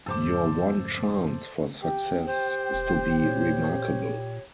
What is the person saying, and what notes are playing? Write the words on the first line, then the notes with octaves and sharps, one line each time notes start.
Your one chance for success is to be remarkable.
F2 G#2 C#3 A4 C5 D6
G4 G5
G4 C5
E1
A#2 C#5